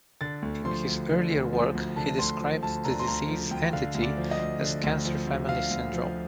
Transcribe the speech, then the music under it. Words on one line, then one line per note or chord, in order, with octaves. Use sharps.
In his earlier work, he described the disease entity as cancer family syndrome.
D3 A6
D2
F3 C6
D2
D3
D2
F3
D2
D3 A5
D2 C6
F3
D2 A5
D3 A#5
C6
D2 A#5
F3
D2 G5
D3 F5
D2
D5
F3
D#5
D2
D3
D2
F3
D2
D3 F5
D2
F3